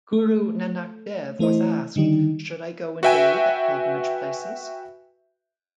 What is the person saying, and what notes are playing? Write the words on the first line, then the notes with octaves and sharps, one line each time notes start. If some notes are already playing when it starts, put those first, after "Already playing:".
Guru Nanak Dev was asked Should I go and bathe at pilgrimage places?
A3
E3 A3 E4 C5 D#5
D3 D#3 G3 D#4
F#4 B4 E5 G5 G#5